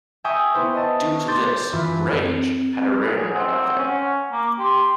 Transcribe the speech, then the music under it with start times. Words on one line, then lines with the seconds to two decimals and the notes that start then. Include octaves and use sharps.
Due to this, "rage" had a rare night off air.
0.24 E5 G5 G#5 A#5 C#6 D#6
0.54 B3 E4 B4 C5
0.75 D#5 A5 C#6
1.28 C6 D6 G6 A6
1.73 F#2 E3 F4 B5
2.20 C4
3.19 G#4
3.34 C4 F#5
3.79 C#4
4.32 A#3 D6
4.58 G4 C6